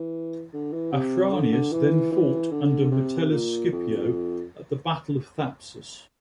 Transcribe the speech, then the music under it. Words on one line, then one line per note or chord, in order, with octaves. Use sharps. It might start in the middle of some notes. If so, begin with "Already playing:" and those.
Afranius then fought under Metellus Scipio at the Battle of Thapsus.
Already playing: E3
D3
E3
C3
D3
D3
E3
E3
D3
C3
A#2
F2